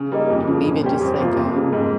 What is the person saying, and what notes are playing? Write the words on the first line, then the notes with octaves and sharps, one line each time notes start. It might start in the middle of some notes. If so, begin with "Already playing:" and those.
and, even just, like, um
Already playing: C#3
G3 A#3 D#4
F2
C#3 F3
A#2
G3 C#4 G4 C5
F2
C3 F3 A#3 F4
F2
C#3 G3 A#3
G#2